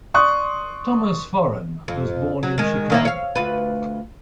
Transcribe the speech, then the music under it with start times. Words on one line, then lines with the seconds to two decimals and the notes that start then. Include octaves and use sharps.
Thomas Foran was born in Chicago.
0.14 D5 C6 C#6 D#6 F#6
1.88 F2
2.43 F#3
2.58 D#3 G#3
2.90 D#3 A#3 E4
3.05 C#5 F5
3.35 D2 F4 B4